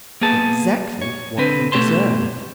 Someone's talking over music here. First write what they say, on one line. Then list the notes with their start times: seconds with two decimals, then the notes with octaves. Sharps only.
Exactly what you deserve.
0.21 A#3 B3 G#4 A5
1.02 C#5
1.38 D3 C4 B4
1.72 B2 A3 G4 C#5 A5 C6